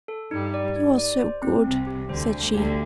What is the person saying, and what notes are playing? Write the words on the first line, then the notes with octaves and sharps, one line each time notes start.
"You are so good," said she.
A4
G2 G3 D#4
D5
D#4
D5
C5
C4
C2 C3 C4
G4
D2 D3 C5
C5
D2 D3 G4